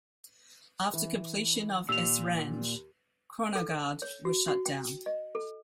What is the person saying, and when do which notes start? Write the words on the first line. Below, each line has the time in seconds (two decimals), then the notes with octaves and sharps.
After completion of Esrange Kronogard was shut down.
0.93 E3
1.89 D#2 A#2 E6 F7
3.55 A4
4.02 C#5
4.25 F#4
4.48 F#4
4.66 G5
5.06 D#5
5.35 A4